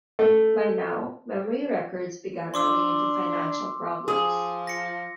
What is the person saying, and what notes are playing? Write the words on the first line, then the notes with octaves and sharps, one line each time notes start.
By now, Memory Records began running into financial problems.
A3
D4 C6 D6 E6
F3 G#4
A#6 C#7